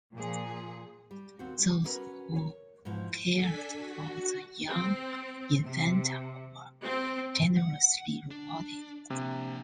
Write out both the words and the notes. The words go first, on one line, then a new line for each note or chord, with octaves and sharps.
Those who cared for the young infanta were generously rewarded.
A#2 F3 G#4
G3
D#2 C4 F#4
G3
C#4 E4 F#4 A#4 B4
C#5
G#2 B2 E3 F3
D4 A4 G#5 B6
F#4
C4
C3
C4
F#5
D4
C3 A#3 D4